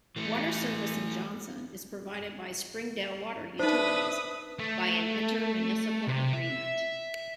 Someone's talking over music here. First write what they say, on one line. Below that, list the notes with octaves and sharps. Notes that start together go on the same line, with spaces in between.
Water service in Johnson is provided by Springdale Water Utilities by an inter-municipal agreement.
E3 A3
D4 D#4 B4 C5 E5 D#6
A3
C3
E5